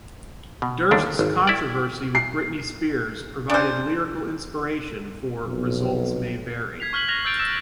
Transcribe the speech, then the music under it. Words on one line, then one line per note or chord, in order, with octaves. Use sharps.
Durst's controversy with Britney Spears provided lyrical inspiration for "Results May Vary".
B2
D#2 D3 D#3 D4
G#1
E4 D5
C7
D4 C5
B1 F2 B2
G#6 B6 C7 F7
C#6 F6 F#6 B6 F#7
F6 F#6 A#6 F7
E6 G6 A6 D7 F7 F#7
E6 A6 E7